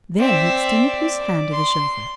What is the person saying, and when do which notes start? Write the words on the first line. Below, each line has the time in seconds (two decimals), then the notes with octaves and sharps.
Then he extended his hand to the chauffeur.
0.19 C4 D5 E5
1.52 C6